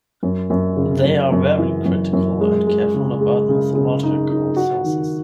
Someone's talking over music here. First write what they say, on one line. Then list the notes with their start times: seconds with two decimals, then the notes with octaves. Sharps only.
They are very critical and careful about mythological sources.
0.23 F#2
0.50 F#2
0.77 C#3
1.05 F#2
1.32 F#2
1.58 E3
1.86 F#2
2.13 F#2
2.40 G#3
2.67 G#3
2.94 C#3
3.21 G#3
3.49 C#3
3.76 C#3
4.03 D#4
4.30 D#4
4.57 F#4
4.84 D#3